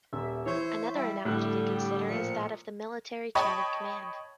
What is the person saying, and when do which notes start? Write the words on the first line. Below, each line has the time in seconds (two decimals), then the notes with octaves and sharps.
Another analogy to consider is that of the military chain of command.
0.13 D#1 E5
0.46 E3 C5 C#5
0.94 G3 E4
1.25 A2 D3 G3 F#6
1.70 G4
2.09 A#2 F3 C#7
3.35 C#5 D#5 G5 A5 B5 C#6